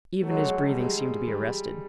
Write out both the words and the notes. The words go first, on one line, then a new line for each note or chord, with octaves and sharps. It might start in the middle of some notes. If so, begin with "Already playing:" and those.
Even his breathing seemed to be arrested.
F#3 A3
G#3
A3
G#3
G3
G#3
G3